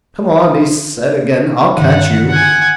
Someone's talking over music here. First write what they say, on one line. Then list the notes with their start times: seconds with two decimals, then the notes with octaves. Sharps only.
"Come on!" he said again; "I'll catch you."
1.78 G2 D3 D#3 F#5
2.29 F#5 G#5